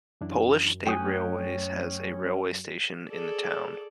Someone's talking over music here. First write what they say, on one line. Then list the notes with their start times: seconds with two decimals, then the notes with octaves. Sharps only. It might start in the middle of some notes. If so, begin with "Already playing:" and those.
Polish State Railways has a railway station in the town.
0.21 F#2 E3 D4 E4
0.87 F#3 A3 C#4 G5 D#6 F#6
3.09 G#4 A4 D5